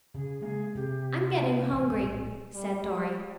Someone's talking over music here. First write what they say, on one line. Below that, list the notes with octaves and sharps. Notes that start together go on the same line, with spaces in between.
"I'm getting hungry," said Dorry.
C#3 G#4
G#3 A#3 G#4
C3 G4
F4
A1 B3 G#5
A#1 A2 C4
G3